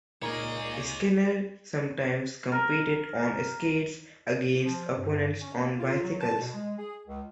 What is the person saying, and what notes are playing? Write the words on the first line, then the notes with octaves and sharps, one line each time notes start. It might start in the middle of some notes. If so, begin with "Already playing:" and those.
Skinner sometimes competed on skates against opponents on bicycles.
A#2 A#3 D#4 G#4 A#4 C#5 D#5 D6
A#4
F3
G2
C#4
A#3
F4
F#3
A5
B2
G#3
G#4
C#2